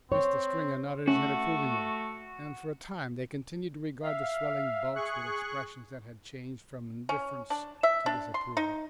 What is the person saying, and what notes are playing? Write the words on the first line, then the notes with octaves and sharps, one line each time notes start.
Mr. Stringer nodded his head approvingly, and for a time they continued to regard the swelling bulks with expressions that had changed from indifference to disapproval.
C4 C#5
A3 C#4 F#4
E5 F5
G#4 C#6 F#6
C#4
D4
E5
D4
C6
D#4